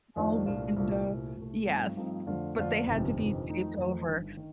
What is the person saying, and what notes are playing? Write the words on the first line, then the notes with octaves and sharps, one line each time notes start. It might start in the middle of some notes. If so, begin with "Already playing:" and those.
all window yes, b but they had to be taped over.
F2 D#3 A3 D4 F4
C2 A#2 A3 D4 F4
C2 A#2 A3 D4 F4
C2 A#2 A3
C2 A#2 A3
G2 F3 A3 C4 D#4
G2 F3 A3 C4 D#4
F2 D3 A3 D4 F4
F2 D3 A3 D4 F4
G1 F2 C3 D#3
G1 F2 C3 D#3
F2 D#3 A3 D#4
F2 D#3 A3 D#4
G1 G2 D#3
D#3